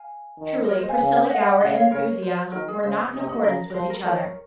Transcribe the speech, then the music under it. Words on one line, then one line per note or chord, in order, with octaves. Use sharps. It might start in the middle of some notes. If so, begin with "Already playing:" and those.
Truly, Priscilla Gower and enthusiasm were not in accordance with each other.
Already playing: F5 G#5
D#3
D#5
A#4 C#5
C5 D#5
F5 G#5
C#3
D#5 F#5
C#3 D#5 F#5
C#5 F5
C#3 A#4 C#5
C5
D#3 A#4
G#4
C#3 C5
C3 D#4
D#4
C#3 A#4
A#4
F3 C5
A#4
F3 A#4 C#5